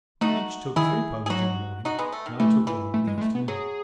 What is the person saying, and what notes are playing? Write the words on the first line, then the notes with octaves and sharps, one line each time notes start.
We each took three ponies in the morning, and I took one in the afternoon.
A3 D#4 F#4
D#3 E4 G#4
G#4
F#3 D#4 F#4
D#4 F#4
G#3 B3
A3
D#3
E3 A3
E3
A3
G#3
G#3
A3
B3
F#3 G#4